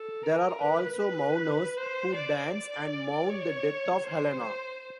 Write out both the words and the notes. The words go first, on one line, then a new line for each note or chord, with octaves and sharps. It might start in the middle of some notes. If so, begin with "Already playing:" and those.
There are also mourners who dance and mourn the death of Helena.
Already playing: A4
A#4
B4
B4
C5
D5
D5
C#5
C5